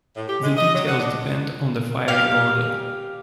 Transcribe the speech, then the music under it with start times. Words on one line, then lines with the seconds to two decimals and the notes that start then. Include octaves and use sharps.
The details depend on the firing order.
0.16 A2
0.28 G4
0.42 G#3
0.57 D#5
0.74 F#3
0.87 F#5
1.00 D4
2.08 G4 F5